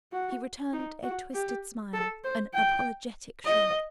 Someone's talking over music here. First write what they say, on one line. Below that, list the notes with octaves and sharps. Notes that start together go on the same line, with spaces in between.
He returned a twisted smile, an apologetic shrug.
F#4
D#4
F#4
G4
A4
C5
G5
D#5